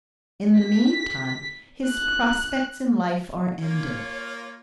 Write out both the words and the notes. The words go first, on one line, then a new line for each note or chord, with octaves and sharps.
In the meantime his prospects in life are ended.
B6
F#6
A#3 F4 C#5